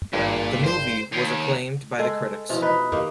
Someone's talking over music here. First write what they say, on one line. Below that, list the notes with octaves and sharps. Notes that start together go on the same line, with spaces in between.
The movie was acclaimed by the critics.
G#1 G2 A#2
C5
D#2 C#5 G5
G#3 A4
B2 E3 F3 F4
D#4 B4
D#3 A#3 D#4 G4